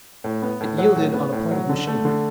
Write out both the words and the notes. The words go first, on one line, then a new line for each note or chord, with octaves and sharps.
It yielded on a point of machinery.
A2
B3
A2
F#3
A2
B3
A2
F#3
D3
A3
D3